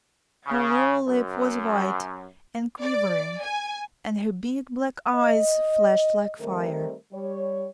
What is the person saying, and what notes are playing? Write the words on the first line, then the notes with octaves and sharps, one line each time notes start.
Her lower lip was white and quivering and her big black eyes flashed like fire.
C#3
F#2
D5
G#5
D#5
D#3 G3 A3 C4 D#4 A#4
G3 C#5